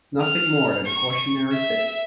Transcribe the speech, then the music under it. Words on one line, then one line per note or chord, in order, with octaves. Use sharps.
Nothing more than a cautionary fable.
F6
C#6
E5